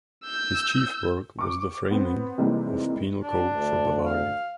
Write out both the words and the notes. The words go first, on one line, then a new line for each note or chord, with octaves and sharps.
His chief work was the framing of a penal code for Bavaria.
E6 G6
C#6 D6
B3 C4
C3 D#3 E3 G3 G#3 A#3
D4
D2
F5